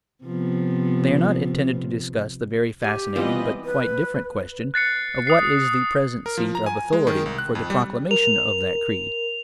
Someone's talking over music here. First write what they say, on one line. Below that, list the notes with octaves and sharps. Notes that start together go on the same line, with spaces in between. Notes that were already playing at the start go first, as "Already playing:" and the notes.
They are not intended to discuss the very fascinating but quite different question of what is the present seat of authority for the proclamation of that creed.
C3 F3 B3
G4 F5 G#5
E3 G3 B3 C4 F4 B4 D#5
B4
F#6 A6 C7 C#7
D#6 C7
A#4
F3
A#5
G#5
G#3
D#3
C2
F#6
F2
G3
A#4 F7